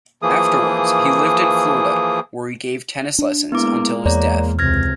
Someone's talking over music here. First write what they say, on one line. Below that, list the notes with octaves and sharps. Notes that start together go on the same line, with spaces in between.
Afterwards, he lived in Florida, where he gave tennis lessons until his death.
E3 F3 A#3 G#4 D#6
D4
G#3 A#3 B3 E4 D6
E2 C#5 D5 A#5
C#2 C3 F6 G#6 A#6